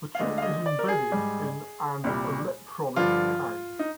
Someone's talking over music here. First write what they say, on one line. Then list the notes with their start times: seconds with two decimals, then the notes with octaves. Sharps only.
The chip is embedded in an electronic tag.
0.15 F5
0.19 D2 D3 G#3 D#5
0.38 F5
0.42 D#5
0.66 D5
0.79 A#4
0.88 G#4
1.12 G#2 G3
2.04 C2 A#2 G3
2.96 G2 D3 F3 F4
3.79 D#4